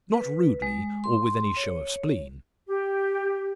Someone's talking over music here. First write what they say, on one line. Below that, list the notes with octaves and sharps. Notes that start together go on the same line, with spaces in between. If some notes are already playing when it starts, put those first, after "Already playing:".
Not rudely, or with any show of spleen.
B4
G#3
C6
C#5
G4